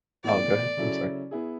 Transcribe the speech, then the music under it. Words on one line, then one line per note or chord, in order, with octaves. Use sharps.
Oh, go ahead, I'm sorry.
A2 E3 B3 D5
C#3 F#3 C#4 E4 A4
B3 E4 G#4